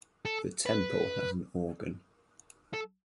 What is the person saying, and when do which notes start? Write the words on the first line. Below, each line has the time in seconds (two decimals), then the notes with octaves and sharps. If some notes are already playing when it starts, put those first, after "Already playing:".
The temple has an organ.
0.25 A4
0.66 B4
2.73 A4